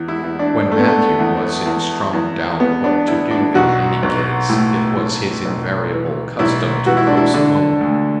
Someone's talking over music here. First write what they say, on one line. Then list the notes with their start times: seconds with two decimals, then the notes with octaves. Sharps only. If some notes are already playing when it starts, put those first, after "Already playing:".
When Matthew was in strong doubt what to do in any case, it was his invariable custom to postpone.
Already playing: E2
0.08 E4
0.24 E2
0.39 D4
0.72 A3
0.79 B3
0.88 A3
1.19 E2
1.66 E2
2.13 E2
2.60 E2 B3
2.84 D4
3.07 E2 E4
3.31 D4
3.55 B1 F#4
4.03 B1
4.49 A2
4.97 A2
5.45 B1
5.92 E3
6.39 B1 E4
6.86 E3 F#4
6.97 E4
7.07 D4
7.17 E4
7.34 D3 D4
7.81 D2